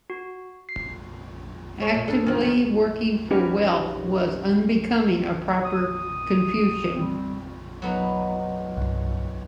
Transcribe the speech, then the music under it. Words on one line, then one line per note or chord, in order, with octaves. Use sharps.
Actively working for wealth was unbecoming a proper Confucian.
F#4
C7
C#5
A#2
C#3 D4 A4
D#3 F3
D#3 F3
C#4 D#4 F#4 G4 A#4 B4
D#6
G3 C4
F#3 B3 D#4
C2 G2 F#5